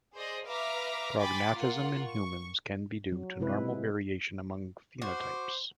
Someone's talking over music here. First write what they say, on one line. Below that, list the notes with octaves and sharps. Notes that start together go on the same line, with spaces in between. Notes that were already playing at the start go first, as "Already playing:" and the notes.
Prognathism in humans can be due to normal variation among phenotypes.
G#4 C5 D5 D#5
B4 E5 F5 A#5 D6 F6
G5 G#5 B5 C6 D6 A6
A#3 F4 F#5
C#6
F#3
C3 G#3 E4 B4
F#4 C5 D6